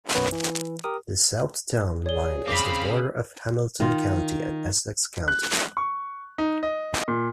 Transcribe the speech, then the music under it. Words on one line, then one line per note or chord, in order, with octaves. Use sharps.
The south town line is the border of Hamilton County and Essex County.
B1 F#2 B3 B4 C#5
E3
G4 A#4 D#6
G#4 C#5 D5 G7
C#3 C4 F5 B5 D6 B6
D#3 D#4 F4
F#6
C#6
D#4
D#5
A#2